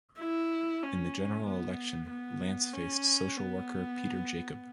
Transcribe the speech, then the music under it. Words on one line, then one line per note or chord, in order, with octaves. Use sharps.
In the general election, Lance faced social worker Peter Jacob.
E4
C#4
B3
B3
C#4
B3